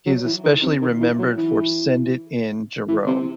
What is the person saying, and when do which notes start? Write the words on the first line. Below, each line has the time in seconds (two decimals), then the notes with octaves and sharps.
He is especially remembered for Send It In, Jerome!
0.06 F#3
0.25 E3
0.44 D#3
0.62 C3
0.82 D#3
1.00 E3
1.19 F#3
1.38 E3
2.88 E3
3.07 C3